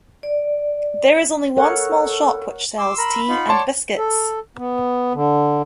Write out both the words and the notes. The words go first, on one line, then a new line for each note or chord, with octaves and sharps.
There is only one small shop which sells tea and biscuits.
D5
A4 A#4 C#5 F#5
C6 D6 E6
A#4 B5
D#4 F4 F#5
C#5 D5 A5 C6
A4
B3
D3